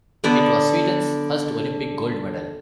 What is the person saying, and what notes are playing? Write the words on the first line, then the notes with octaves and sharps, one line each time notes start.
It was Sweden's first Olympic gold medal.
D3 B3 D5